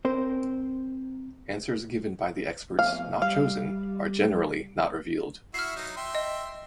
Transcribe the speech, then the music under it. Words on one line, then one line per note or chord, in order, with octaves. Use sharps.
Answers given by the experts not chosen are generally not revealed.
C4 A#4 C5
F2 A3 B3 F5
G3 F5
E4 F#4 E5 F6 C7
F#3 D#4
E5 G5 C6
D#5